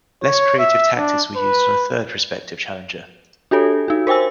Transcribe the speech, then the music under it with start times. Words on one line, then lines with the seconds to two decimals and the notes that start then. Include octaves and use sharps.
Less creative tactics were used on a third prospective challenger.
0.23 C#5
0.59 E5
0.98 D4
1.36 B4
3.51 D4 F#4 G4 A4 C#5
3.88 D#4 F#4
4.07 A#4 C5 G5 G#5 E6